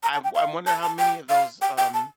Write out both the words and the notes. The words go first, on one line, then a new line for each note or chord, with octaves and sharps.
I'm I wonder how many of those, um
A#5
A5
G5
F5
A5
A5
G5
F5
G5
G5
A5